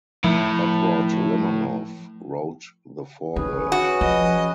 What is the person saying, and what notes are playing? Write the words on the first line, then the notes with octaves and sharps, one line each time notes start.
Edward Limonov wrote the foreword.
A2 F3
D#3 C#4 G#4 B4
F#4
F3 D#5